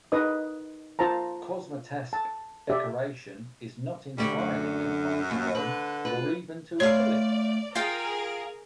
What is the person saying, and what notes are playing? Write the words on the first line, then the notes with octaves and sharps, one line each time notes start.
Cosmatesque decoration is not entirely confined to Rome, or even to Italy.
D#4 B4 D#5 D#6
F4 C5 A5 A#5
A5
G4 D5 E5
D2 D3 G3
F#2
D#2
D3 B4
F4 B4
A3 C#5 D5 F5 C6
F4 G#4 A#4 F5 G5 D7